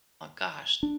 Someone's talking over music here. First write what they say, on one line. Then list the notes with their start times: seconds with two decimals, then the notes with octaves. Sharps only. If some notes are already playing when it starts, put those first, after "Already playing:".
Oh gosh.
0.83 D4